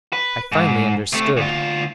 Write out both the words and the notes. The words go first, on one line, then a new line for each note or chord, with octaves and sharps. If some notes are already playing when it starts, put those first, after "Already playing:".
I finally understood!
B4
G#2
C3 A3
D2 F4